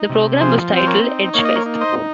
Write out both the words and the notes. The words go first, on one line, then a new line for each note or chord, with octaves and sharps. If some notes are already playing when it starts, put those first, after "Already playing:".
The program was titled Edgefest.
Already playing: D#4
C3
F3 G#4 C5
C4
C5
A#4 C#5
D#4
A#3 C#5
D#5
A#4 C#5
D#4
C5 D#5